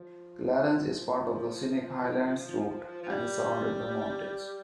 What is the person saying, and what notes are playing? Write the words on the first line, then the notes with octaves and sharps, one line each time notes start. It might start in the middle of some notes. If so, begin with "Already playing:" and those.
Clarens is part of the scenic Highlands Route and is surrounded by mountains.
Already playing: F3
F3
G3